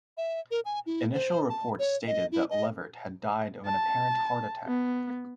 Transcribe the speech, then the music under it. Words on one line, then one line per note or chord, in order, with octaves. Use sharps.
Initial reports stated that Levert had died of an apparent heart attack.
E5
A#4
G#5
E4
C5
A5
C#5
D#5
E4
D#5
A5
B3